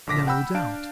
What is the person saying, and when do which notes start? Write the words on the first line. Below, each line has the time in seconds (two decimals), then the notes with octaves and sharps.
No doubt.
0.07 A#1 D3 D6 A#6 B6
0.27 F#5 G5 B5 E6 F#6 G6
0.54 D4 F5 A5 D7